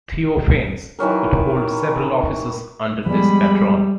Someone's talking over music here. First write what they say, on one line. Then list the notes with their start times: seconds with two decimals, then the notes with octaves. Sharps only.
Theophanes would hold several offices under this patron.
0.99 D#3 E3 F#3 A#4
3.06 F3 G3 G#3 B3 B5